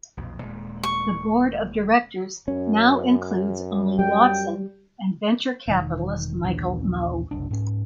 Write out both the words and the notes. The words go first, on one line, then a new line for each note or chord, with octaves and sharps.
The board of directors now includes only Watson and venture capitalist Michael Moe.
B1 F2 A#2
D#1 A#2 G#3
C#6
F#2 C#4
G3 G5
E1 D#3
A#1 D#2 E3 D4
F#1 C2 D4
G#2 C#4